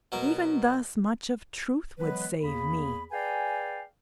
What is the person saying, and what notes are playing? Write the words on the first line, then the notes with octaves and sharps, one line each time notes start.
Even thus much of truth would save me!
B2 F#3 A#4
E3 F#3 G#3 B3 B4
E2 A#3 G#4 B5
G#4 B4 D5 F5 G5 G#5